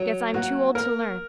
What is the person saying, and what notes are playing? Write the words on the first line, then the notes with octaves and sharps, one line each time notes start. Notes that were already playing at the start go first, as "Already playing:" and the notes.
Guess I'm too old to learn.
Already playing: F#3
A#3 F#4
A#3 A#4